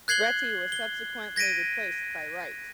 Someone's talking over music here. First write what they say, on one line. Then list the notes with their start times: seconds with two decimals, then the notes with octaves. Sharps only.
Reti was subsequently replaced by Wright.
0.08 F#6 G#6 C7 F#7 G7
0.72 G7
1.36 G#6 A#6 B6 D7 D#7